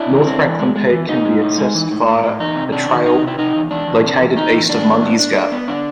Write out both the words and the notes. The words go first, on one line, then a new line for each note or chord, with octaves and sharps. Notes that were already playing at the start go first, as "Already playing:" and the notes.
North Franklin Peak can be accessed via a trail located east of Mundy's Gap.
Already playing: D4 E4
E3
C4
E3
G#3
G#3
E3
A2 D#4
G#3
A2
G#3
E3
A2
A2
A2
E2 D#4
C3
C3 D4
D#3
C3 D#4
C3
E4
C3 D#4
E2
E2 D4
E2
C3
E2
D#3 D#4
E2
E2 D4
E2
B3
D4
D4
B3
D3 D4